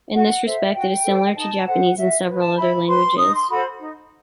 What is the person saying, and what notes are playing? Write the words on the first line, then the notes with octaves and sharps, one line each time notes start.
In this respect it is similar to Japanese and several other languages.
F#4 F#5
A4 C5 E5
F#4 G5
A4 C5
D#4 A5
A4 C5 F#5
F#4 E5
B4
A5
E4 B5
B4 C6
D#4 D#6
C6
F#4 A4 C5 B5
D#4